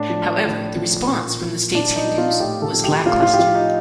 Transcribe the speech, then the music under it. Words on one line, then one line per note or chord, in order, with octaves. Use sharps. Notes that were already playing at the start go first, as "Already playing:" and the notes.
However, the response from the state's Hindus was lacklustre.
Already playing: A2 D4
F3
A2
F3
A#2
F3
A#2 D4
D#4
F3
F4
A2 G4
A4
F3
G4
A2 F4
F4
G4
F3 F4
D#4